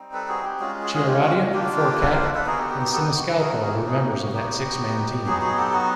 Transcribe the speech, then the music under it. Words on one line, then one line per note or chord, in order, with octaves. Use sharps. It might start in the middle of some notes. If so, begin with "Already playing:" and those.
Chiaradia, Forquet, and Siniscalco were members of that six-man team.
Already playing: G3 C4 D#4
A4 B4
F#4 G#4
G4
G#3 C#4 F4 F#4 G#4
F#4 G#4
F#4 G#4
G4
F#4
A#3 D4 F4 G4
G4
A4 B4
A#4 C5
A4 B4
A4 B4
B3 D#4 F#4 G#4 A#4
G4 A4
G4
G4
G4 A4
G4
F#4
A4 B4
B3 D#4 F#4 G#4 A#4
A4 B4
G#4 A#4
G4 A4
F#4 G#4
F#4
G4
F#4
B3 D#4 F#4 G4
F#3 B3 D#4 F#4 G#4
F#4 G#4
G4 A4
F#4